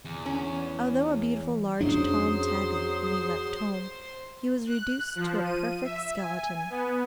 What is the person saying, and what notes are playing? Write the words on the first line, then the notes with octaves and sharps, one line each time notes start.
Although a beautiful large Tom tabby when he left home, he was reduced to a perfect skeleton.
E2
C#4
F2 F#3 C#4 D4 G#4 C5 C6
F#6
F3
D#7
E5
G#5
B3